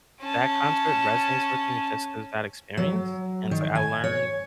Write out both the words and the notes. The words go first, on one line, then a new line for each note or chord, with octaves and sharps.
that concert resonates with me just 'cause that experience, and it's, like, I learned
C#4 A5
F#3
D#3
G#5
C#5